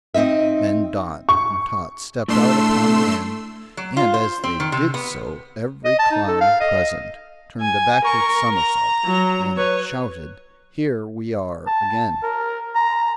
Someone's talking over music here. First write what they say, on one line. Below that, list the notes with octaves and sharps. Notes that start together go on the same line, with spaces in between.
Then Dot and Tot stepped out upon land, and as they did so every Clown present turned a backward somersault and shouted, "Here we are again!"
C4 D#4 D#5 E5
C#6
A2 A3 D4 C6 E6
F#3
F4
C5
C4
D#3
C3
B3
D#5
A5
D#4
A4
F5
D#5
G#5
A#4 C#6
A#5
F#3
B4 C#5
A5
A#4
A#5